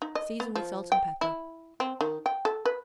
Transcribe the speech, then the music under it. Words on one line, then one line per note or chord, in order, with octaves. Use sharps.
Season with salt and pepper.
D#4
D#5
B3
F3
G5
E4
C4
D#3
G5
A4
B4